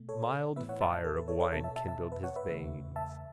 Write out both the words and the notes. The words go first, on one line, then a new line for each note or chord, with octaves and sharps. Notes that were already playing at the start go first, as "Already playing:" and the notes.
Mild fire of wine kindled his veins.
Already playing: B2 A3
A4 C#5
A2 E3 B3 B4 E5
C#5 F#5
E5 A5
E5 A5
A4
B4
A4 C#5
A4 C#5
B2 B3 E5 A5
E5 A5
E5 A5
E5 A5
B4 E5
C#5 F#5
B4 E5
E2 C#3 A3
E5 A5